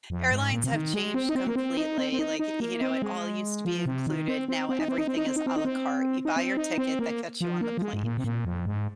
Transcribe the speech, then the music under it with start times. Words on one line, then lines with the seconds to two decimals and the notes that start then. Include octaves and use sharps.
Airlines have changed completely, like, y you know, it all used to be included, now everything is a la carte; you buy your ticket that gets you on the plane,
0.10 F2
0.31 G#2
0.51 A#2
0.64 C3
0.72 D#3
0.94 G#3
1.14 C4
1.29 D#4
1.35 C4
1.47 A#3
1.56 C4
1.77 D#4
1.98 C4
2.12 C4
2.19 D#4
2.39 D#4
2.60 A#3
2.81 C4
3.02 G#3
3.65 F3
3.86 C3
4.07 D#3
4.28 C4
4.48 C4
4.69 C4
4.79 D#4
4.88 C4
4.98 D#4
5.07 C4
5.17 D#4
5.27 C4
5.36 D#4
5.46 C4
5.56 D#4
5.65 C4
6.25 D#4
6.36 C4
6.57 D#4
6.78 C4
6.99 A#3
7.41 F3
7.61 A#3
7.77 F3
7.82 G#3
7.93 G#2
8.03 A#2
8.17 C3
8.24 A#2
8.45 F2
8.66 G#2